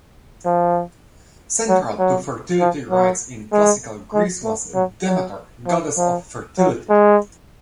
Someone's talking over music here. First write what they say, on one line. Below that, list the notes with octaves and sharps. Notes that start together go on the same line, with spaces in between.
Central to fertility rites in classical Greece was Demeter, goddess of fertility...
F3
F#3
F#3
F3
F#3
G#3
G#3
A3
F#3
F#3
F3
F3
F#3
G#3